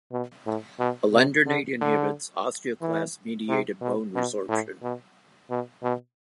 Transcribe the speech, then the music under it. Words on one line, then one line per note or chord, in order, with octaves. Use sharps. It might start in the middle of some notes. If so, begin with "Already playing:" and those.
Alendronate inhibits osteoclast-mediated bone-resorption.
B2
A2
B2
C3
D3
D3
E3
C3
B2
B2
A2
B2
B2
B2